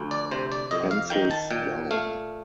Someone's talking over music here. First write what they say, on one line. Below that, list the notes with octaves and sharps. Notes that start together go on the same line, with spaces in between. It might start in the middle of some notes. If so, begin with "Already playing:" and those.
Pencils down.
Already playing: D2 F3
D5
C3 C5
D5
F2 D#5
F5
D#3 G5
A5
A#2 G5
A3 F5